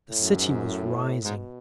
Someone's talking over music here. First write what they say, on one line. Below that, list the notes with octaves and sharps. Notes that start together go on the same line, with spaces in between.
The city was rising.
A2
F#2
G#2
A2
G#2 B2